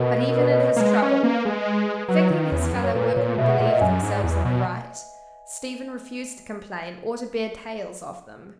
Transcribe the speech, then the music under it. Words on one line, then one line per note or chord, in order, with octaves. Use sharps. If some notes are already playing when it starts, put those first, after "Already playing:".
But even in his trouble, thinking his fellow workmen believed themselves in the right, Stephen refused to complain or to bear tales of them.
Already playing: B2 A#4 B4 D#5
A#4
B4
D#5
C#5
A#3
G#3 B4
C#4
A#3
G#3
F#3 B4
D#3
E2
F#2
C#5
A#2 B4
B4
A#2 C#5
B2 E5
F#5
A#2 E5
D#5
F#2 G#5
G#2
E2
B2